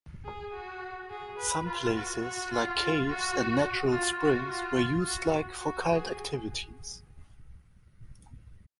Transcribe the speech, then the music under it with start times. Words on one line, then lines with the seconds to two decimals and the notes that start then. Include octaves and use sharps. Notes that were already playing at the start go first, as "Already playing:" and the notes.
Some places like caves and natural springs were used like for cult activities.
0.25 G#4
0.53 F#4
1.10 G#4
1.38 B4
1.67 F4
1.94 F#4
2.23 F#4
2.51 F4
2.79 F4
3.08 F#4
3.92 F4
4.20 F#4
4.48 F4
5.06 F#4
5.61 F#4
5.90 G#4